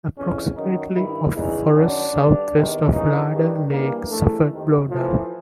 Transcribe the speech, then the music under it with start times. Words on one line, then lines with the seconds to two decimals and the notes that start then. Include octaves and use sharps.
Approximately of forest southwest of Larder Lake suffered blowdown.
0.16 F2 C#3 E3 C#4
0.55 F#2 D#3 D#4
0.94 G2 D#3 E4
1.34 E2 C#3 E3 D#4
1.73 F#2 D#3 D4
2.13 G2 D3
2.52 E2 C3 D#3
2.91 F#2 C#3 E3 D#4
3.30 G2 D#3
3.70 G2 E3 A#3
4.09 F2 C#3 E3 A3
4.49 F2 C3 D#3
4.88 A2 E3 F3